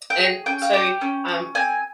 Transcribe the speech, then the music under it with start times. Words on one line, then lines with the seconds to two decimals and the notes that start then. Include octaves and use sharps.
And so, um,
0.10 G5
0.19 G#4
0.46 C#4 G5
0.62 F5
0.73 G4 G5
1.01 C#4
1.28 C#4
1.55 C4 G#5